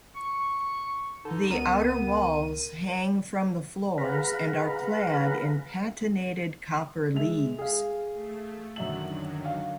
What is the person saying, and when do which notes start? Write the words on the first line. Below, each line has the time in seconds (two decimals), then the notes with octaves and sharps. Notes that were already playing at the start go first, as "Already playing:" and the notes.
The outer walls hang from the floors and are clad in patinated copper leaves.
0.15 C#6
1.25 G2 D3 D#4 A4
1.50 C#2 B3 A#4 D#7
3.98 G#4 B4 F5 F#5 A#5 B5
7.14 G#3 E5 F7
7.58 G#4 F5
8.12 A3
8.76 F#2 D3 D#3 F#3 E5 F#7
9.45 F5